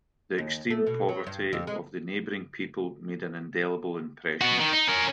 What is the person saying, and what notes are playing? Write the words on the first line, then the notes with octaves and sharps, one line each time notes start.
The extreme poverty of the neighboring people made an indelible impression.
D#2
A3
B2
F#3
G2
F2
G#3
B3 F#4
D#3
D#4
C#4 A#4